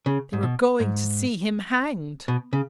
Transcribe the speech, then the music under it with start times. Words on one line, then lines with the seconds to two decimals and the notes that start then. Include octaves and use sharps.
They were going to see him hanged.
0.06 C#3
0.33 G#2
0.43 B2
0.80 G#2
2.28 B2
2.53 C#3